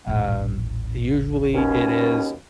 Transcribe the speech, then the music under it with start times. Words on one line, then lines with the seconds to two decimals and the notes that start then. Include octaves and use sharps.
um, usually it is
0.07 D#1 A1
1.53 D#2 B2 C#4